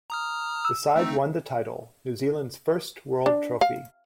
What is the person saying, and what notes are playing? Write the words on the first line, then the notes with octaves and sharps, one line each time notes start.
The side won the title, New Zealand's first world trophy.
A#5 D#6 F6
E6
A3 C4 D#4
D4
F5